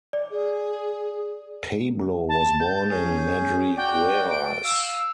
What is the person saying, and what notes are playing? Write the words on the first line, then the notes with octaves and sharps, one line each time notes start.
Pablo was born in Madrigueras.
D5
G#4
A5
G6
C#4 G#4
F#4 D5 G5
D7
F5 E6